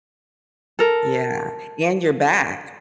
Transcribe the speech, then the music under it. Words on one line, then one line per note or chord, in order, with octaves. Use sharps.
Yeah, and your back.
A4 A#4